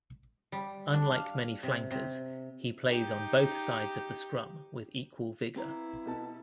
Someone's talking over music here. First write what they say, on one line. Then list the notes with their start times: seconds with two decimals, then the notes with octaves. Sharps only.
Unlike many flankers, he plays on both sides of the scrum with equal vigor.
0.52 G3
0.94 D4
1.12 F5
1.63 C3
1.91 C3
2.88 D#4 G4
5.56 C4 E4 B4 A#5
6.06 B2 A4 A5